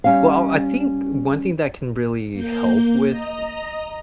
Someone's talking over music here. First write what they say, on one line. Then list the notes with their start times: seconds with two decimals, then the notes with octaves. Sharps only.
well, I I think one thing that can really help with
0.04 G3 C#4 F5
2.33 A#3 G6
3.09 D#5 A#5